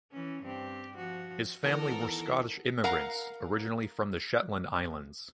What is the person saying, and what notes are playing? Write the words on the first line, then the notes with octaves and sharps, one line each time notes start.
His family were Scottish immigrants, originally from the Shetland Islands.
E3 C#4
G2 C4 G4
F3 F#4
D#3 E3 B3 A4 A#4
A#4 F5 F#5 A#5